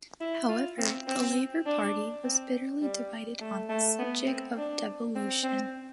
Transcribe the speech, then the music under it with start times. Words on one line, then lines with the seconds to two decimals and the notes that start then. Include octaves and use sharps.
However, the Labour Party was bitterly divided on the subject of devolution.
0.21 E4
0.49 F4
0.78 C4
1.07 C4
1.66 D4
2.24 C4
2.82 G3
3.41 A3
3.69 A3
3.99 B3
4.27 C4
4.57 D4
5.15 C4
5.44 C4